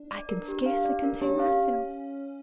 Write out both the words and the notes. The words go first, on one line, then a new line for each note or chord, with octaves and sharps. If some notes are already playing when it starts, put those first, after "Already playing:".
I can scarcely contain myself!
Already playing: D4
D5
A#4
G4
F5
D5
A#4
C#4 G4
F5